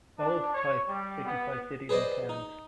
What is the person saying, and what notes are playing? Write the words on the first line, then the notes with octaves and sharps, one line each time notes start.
Bold type signifies cities and towns.
D4
C#5
G3
B3
G#4 B4 C5 D5 D#5
D#4